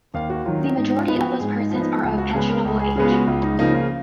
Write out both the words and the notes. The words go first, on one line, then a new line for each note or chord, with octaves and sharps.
The majority of those persons are of pensionable age.
D#2 F5
F#4
D#3 F#3 F4
D#4
G#2 D#4
D#4
F4
F3 B3
F#4
G#2 G#4
D#4
F3 B3
D#4
C#2 F4
F#4
C#3 G#3 B3 G#4
A#4
C#2
G#4
C#3 G#3 B3 G#4
F4
F#4
C#2 F4
D#4
C#3 F3 A#3 D#4
F4